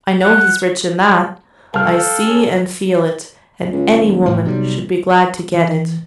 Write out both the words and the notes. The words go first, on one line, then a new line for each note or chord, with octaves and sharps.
I know he's rich in that; I see and feel it; and any woman should be glad to get it.'
F#5
C2 A4 F5 G5 A5 F6
C#4 G#4
C#2
D#1
A2 F3
B1 C3 G3
E3